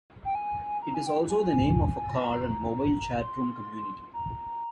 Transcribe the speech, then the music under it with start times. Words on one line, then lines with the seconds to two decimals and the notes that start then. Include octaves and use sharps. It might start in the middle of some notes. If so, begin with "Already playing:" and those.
It is also the name of a car and mobile chatroom community.
0.25 G5
0.35 G#5
0.82 A#5
0.94 G#5
1.07 G5
1.30 G#5
2.18 G#5
2.25 A#5
3.19 C6
4.14 A#5